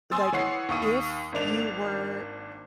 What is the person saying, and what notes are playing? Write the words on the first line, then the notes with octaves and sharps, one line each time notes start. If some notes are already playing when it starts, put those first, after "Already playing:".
like, if you were
G#5 C6 D#6 E6 A6
E3 C#5 F#5 C7
D#2 C#6 D#6 D#7
G#1 A#3 D4 F7